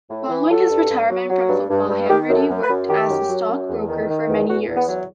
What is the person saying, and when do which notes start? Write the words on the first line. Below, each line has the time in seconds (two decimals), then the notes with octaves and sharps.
Following his retirement from football, Hanratty worked as a stock broker for many years.
0.10 A2
0.30 E3
0.49 F#3 A4
0.70 G2
0.90 G2
1.10 F#3
1.30 F#3
1.49 G2
1.69 G2
1.89 G2
2.09 D#3 G4
2.29 F#2
2.35 A4
2.49 F#2
2.62 B4
2.69 F#2
2.89 D#3 G4
3.09 F#2
3.29 F#3
3.48 F#2
3.69 E2
3.89 D#3
4.09 D#3
4.29 E2
4.48 E2 F#4
4.68 E2
4.75 B3
4.88 F#3